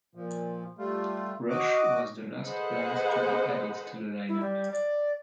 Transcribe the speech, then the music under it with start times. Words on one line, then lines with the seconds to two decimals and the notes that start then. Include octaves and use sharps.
Rush was the last band to be added to the lineup.
0.15 A#2 F3
0.78 G3 A3 F4
1.50 F#4 D#5 D6
2.44 G#4 A4 B4 C5 D#5 F#5
4.28 E4
4.40 G3
4.71 D5